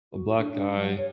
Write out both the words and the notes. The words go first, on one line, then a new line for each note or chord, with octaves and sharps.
a black guy
F#4
D4
D4
F#3
C#5